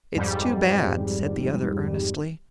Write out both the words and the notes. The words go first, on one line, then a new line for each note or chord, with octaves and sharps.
"It's too bad," said the other, earnestly.
F2 G#2 G3